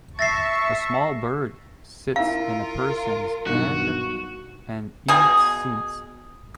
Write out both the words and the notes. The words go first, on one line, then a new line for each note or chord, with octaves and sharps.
A small bird sits in a person 's hand and eats seeds.
E5 A5 C#6 A6 A#6 C7
E4 F4 A#4 E5 F5 E6
B1 G2 D#3 F#4
B2 G#4